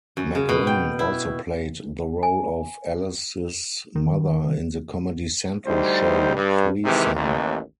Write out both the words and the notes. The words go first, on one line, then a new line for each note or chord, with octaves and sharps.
McLynn also played the role of Alice's mother in the Comedy Central show "Threesome".
F#2
C#3
B2
G5
E4
G#5
D#3
D2 G3 D#4 C5
G2
C3 D#3 E3 G#3
A1 D#2